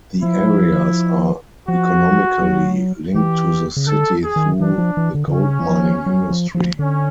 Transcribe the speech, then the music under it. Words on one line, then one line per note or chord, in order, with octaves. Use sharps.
The areas are economically linked to the city through the gold mining industry.
F3 E4
F#3
F3
F3 F#4
F#3
E3 G4
C#3
D3 A4
G#4
D#3
E3 D4
F3
E3
D3
D3
C#3 C#4
F3
F#3
F3
F3
D3 C#4